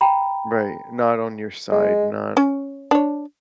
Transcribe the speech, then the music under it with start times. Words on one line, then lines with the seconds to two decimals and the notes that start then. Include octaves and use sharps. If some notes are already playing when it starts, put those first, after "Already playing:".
Right, not on your side, not
0.01 G5 A#5 B5
1.72 G#3
2.37 C#4
2.91 D4 C#5